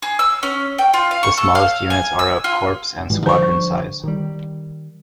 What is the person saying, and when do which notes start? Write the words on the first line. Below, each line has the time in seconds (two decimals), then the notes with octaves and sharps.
The smallest units are of corps and squadron size.
0.02 G#4
0.19 E6
0.43 C#4
0.78 G5
0.94 F4
1.11 F5
1.23 C#6
1.37 A4
1.55 F5
1.90 G#5
2.19 E6
2.44 F4
3.10 G#2 E3 G3
3.26 D3 F3 G3 C5 C#6
4.04 D#3 G3